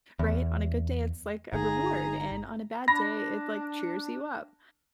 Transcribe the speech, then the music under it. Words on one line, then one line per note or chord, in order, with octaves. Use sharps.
Right? On a good day, it's, like, a reward, and on a bad day, it, like, cheers you up.
E2
G1 D#4 G#4 A#5
D4 B5 A#6